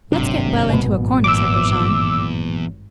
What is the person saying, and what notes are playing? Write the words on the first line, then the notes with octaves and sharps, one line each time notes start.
"Let's get well into a corner," said Brujon.
D#1 G#1 G2 C3 F#3 D4
A#2 F#3 B3
E2 D6 E6